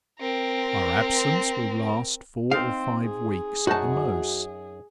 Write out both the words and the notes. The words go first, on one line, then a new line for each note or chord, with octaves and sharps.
Our absence will last four or five weeks at the most.
C4 A#4
C4 D#4 F5
G#4
F#2 D#4 F#4 D#5 A5